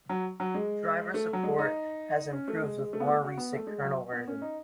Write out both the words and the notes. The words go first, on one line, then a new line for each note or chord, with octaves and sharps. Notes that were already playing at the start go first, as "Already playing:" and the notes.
Driver support has improved with more recent kernel versions.
F#3
F#3
G#3
A3
F#3
G#3
D#4
C#4
A3
G#3
G#3
A3
B3
A3
F#4
B3
A3
G#3
F#3
B3
C#4
D#4